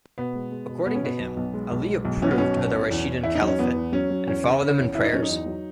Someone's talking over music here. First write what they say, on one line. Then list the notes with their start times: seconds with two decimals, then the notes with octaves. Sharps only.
According to him Ali approved of the Rashidun Caliphate and followed them in prayers.
0.18 B2 B3
0.35 G#3
0.52 G#3
0.69 B2
0.86 B2 B3
0.95 C#4
1.03 B2 B3
1.20 B1
1.37 B1
1.54 G#3
1.71 B1
1.88 G#3
2.05 B1
2.22 B1 C#4
2.31 B3
2.38 B2 C#4
2.57 B1
2.73 B1
2.91 E2
3.08 E2
3.23 E2 E4
3.35 D#4
3.42 F#3
3.47 C#4
3.59 E2 B3
3.76 E2
3.92 F#3 C#4
4.10 F#3
4.27 E2 C#4
4.44 C#3
4.61 C#3 C#4
4.78 E2
4.95 E2 E4
5.04 D#4
5.12 F#3 C#4
5.23 D#4
5.29 E2
5.46 F#3